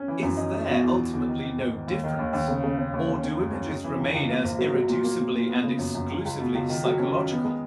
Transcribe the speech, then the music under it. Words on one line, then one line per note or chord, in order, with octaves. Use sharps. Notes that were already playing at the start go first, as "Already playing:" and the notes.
Is there ultimately no difference, or do images remain as irreducibly and exclusively psychological?
Already playing: C#4
E3
F#2
D#4
D#4
B2
E2
B2
E2
D#3
D#3
G#2
D#3
D#2
D#3
D#2
D#2
C#3
C#3
C#3
D#2
C#4
C#4
F#2
C#4
G#3
E3
C#2
C#2
A#3
G#1
F#3
F#3
A#2
A#3
A#2
A#2
B3
C#3
F#2
F#2
C#2
C#2
B2
C#2
D#3
F#3
C#4
D#3
B3
G#3